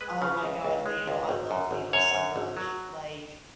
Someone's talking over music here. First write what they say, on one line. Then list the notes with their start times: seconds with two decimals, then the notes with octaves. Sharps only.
Oh my god, Lidl, I love Lidl so much. Like,
0.01 G#3 B4
0.22 C#3
0.43 C#2
0.65 C#2
0.86 G#3
1.07 C#2
1.29 G#1
1.51 F#2
1.71 G#1
1.93 F#2 C#5
2.15 F#2
2.36 G#1
2.57 F#3